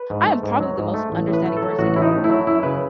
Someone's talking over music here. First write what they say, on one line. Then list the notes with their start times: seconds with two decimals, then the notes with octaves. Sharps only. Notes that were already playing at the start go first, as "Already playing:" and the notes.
I am probably the most understanding person in the world.
Already playing: B4
0.10 G#2
0.26 A3
0.43 G#2
0.60 F#3
0.78 G#2
0.94 A3
1.12 A1
1.28 A2
1.33 B4
1.45 A3
1.57 A4
1.62 F#3
1.79 A1 F#4
1.96 A2 E4
2.02 D#4
2.12 A3
2.24 E4
2.29 F#3
2.47 F#2 E4
2.63 C#3 B4